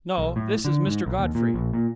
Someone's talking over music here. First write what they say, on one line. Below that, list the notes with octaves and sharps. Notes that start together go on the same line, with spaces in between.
"No; this is Mr. Godfrey."
B1
A2
D3
G#2
B1
D#2
A#2
A#1
A#2